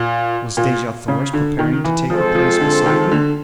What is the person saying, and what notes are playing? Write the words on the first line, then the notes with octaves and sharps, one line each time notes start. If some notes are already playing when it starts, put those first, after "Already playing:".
Was Dejah Thoris preparing to take her place beside me?
Already playing: A#2
A#2
C#3
D3
D#3
E3
F3 G#3 C4 F4 A4 C5
F3
D3
D#3
D3